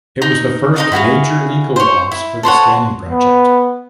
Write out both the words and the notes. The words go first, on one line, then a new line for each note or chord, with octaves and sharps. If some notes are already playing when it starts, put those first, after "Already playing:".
It was the first major legal loss for the scanning project.
D#4
D#4 D#5 F5
E4 F#4 G#4 F5
C5 C#5
E4
A4 C5 C#5 F#5
B3